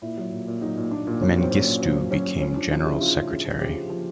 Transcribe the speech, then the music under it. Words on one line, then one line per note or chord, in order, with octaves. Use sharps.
Mengistu became general secretary.
A#2 E4
F#3
A#2
A#2
F#3 D#4
A#2
A#2 D4
A#2
F#3 C#4
F#3 C4
A#2 C#4
A#2 C4
F#3 C4
F#3
F#3 C#4
F#3
F3 C#4
F3 D4
F3 D#4
C#3 E4
C#3 F4
C#3
C#3
F3
C#3 G4
F3
F3